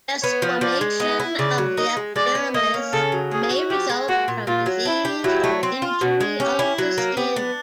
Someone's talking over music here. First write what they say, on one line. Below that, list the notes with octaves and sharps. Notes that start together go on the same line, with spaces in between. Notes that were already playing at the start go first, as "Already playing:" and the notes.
Desquamation of the epidermis may result from disease or injury of the skin.
B3 C#5
F3
F3 D5
G#3
B3 D#5
E4
C#3 D5
F#3
D#4 D#5
G#3
G#3 D5
B3
A#3 D#5
C#4
C#3 A4
F#3
C#4 G#4
F#4
F3 G4
G#3
A#3 F#4
A#2
A#2 F4
F#3
D4 E4
G4
F#3 E4
A3
C4
F4
B2 F#4
G#3
C#4 G4
E4
F#3
A#3
B3 G4
D4